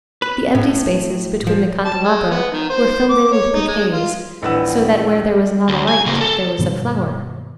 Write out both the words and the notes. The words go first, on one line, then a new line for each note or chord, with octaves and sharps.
The empty spaces between the candelabra were filled in with bouquets, so that where there was not a light, there was a flower.
B4
A2
F3
A5
G#3
B3
D#3
C5
D6
C#5
D#4
G#3
F4
D#1 A#1 E3 B4 F#5 E6
D2
G#5
C#3 A#3
A4
G2 B2 D#3 B3